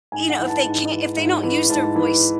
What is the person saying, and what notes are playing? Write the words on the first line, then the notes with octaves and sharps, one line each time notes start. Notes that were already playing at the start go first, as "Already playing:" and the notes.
you know, if they can't if they don't use their voice
G#2 G#5
F#5
E3
A5
G#2
E3
G#2
E3
G#2 A5
E3